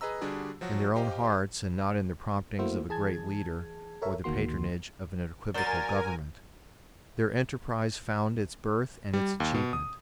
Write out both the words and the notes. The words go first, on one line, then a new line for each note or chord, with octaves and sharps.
In their own hearts, and not in the promptings of a great leader or the patronage of an equivocal government, their enterprise found its birth and its achievement.
G#4 B4 D#5 A#5 E6
D3 G3 D4 F#4 G#4
F3 F#3 F#4
G4 C5 D#5 F5 G5
A3 A#3 E4 F#4 C5 E5
E3 G#4 A5 G#6
A4 A#4 C#5 E5
D2 D#3 A#3 F#4 C6
F#3 A#4 C5 D5 G#5 A6
G3
D#2
B2
D#6